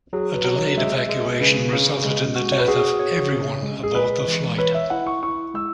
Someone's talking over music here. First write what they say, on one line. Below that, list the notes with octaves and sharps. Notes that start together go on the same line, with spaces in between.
A delayed evacuation resulted in the death of everyone aboard the flight.
F#3 G#4
B4
F#3
C#5
G#3 E5
G#3
C#3 B4
C#3
G#3
F#4
C#5
B4
F#4 G#4
C#5
C#3
G#3
G#4
G#3 B4
E3
B4 C#5
E5
E4 F#5
C#6
E4 C#6
G#3 E6